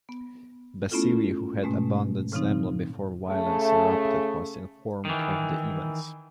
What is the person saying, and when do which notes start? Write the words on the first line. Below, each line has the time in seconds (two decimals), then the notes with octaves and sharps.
Bassiri, who had abandoned Zemla before violence erupted, was informed of the events.
0.09 B3
0.91 A3 B3 C#4 E4 F4 A4
1.63 G#2 B2 G#3 A3 C#4
2.32 A2 C#3 F3 C4 D#4
3.27 C#3 A3
5.05 D#3 E3